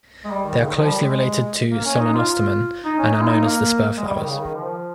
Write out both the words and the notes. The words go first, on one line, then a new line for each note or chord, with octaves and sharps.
They are closely related to "Solenostemon" and are known as the spurflowers.
G#3
G3
D#3
C#3
D#3
F3
G3
G#3
A#3
C#4
D#4
F4
F4
D#4
C#4
D#4
F4
D#4
A#3
G#3
G3
D#3
C#3
D#3
F3